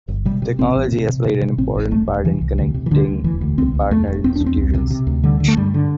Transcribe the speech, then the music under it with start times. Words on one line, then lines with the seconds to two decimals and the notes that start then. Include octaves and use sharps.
Technology has played an important part in connecting the partner institutions.
0.08 G1
0.25 C3 G3
0.42 C3
0.59 A1 C4
0.76 A1
0.92 C3
1.09 C3
1.26 C3
1.42 C3
1.58 A1 C4
1.75 A1
1.91 E1 A3
2.08 E1
2.24 C3 E3
2.41 C2
2.58 D2
2.74 C3
2.86 E3
2.91 D2 D3
3.08 D2
3.24 E1 E3
3.41 D2
3.58 C2 C4
3.75 C2
3.91 E2 A3
4.07 E1
4.24 E1 C4
4.36 E2 D4
4.46 C4
4.57 C2
4.74 C3
4.90 C3
5.07 D2
5.23 D3 G3
5.40 D3
5.48 A3
5.57 G2 G3
5.74 D3